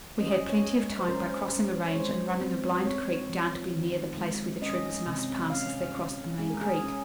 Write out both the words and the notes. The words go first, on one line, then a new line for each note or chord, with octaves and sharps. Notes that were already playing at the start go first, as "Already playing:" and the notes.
We had plenty of time by crossing a range and running a blind creek down to be near the place where the troopers must pass as they crossed the main creek.
C#4 D#5
C#5
G#3
C5
C#4 A#4
C#4
C#5
G#3 C5
C4
C4 C#5
F3
D#3
G#3
C#4 D#5
C3
C#4 F5
C#4
G#3 G#4
A#4
G#4
C#4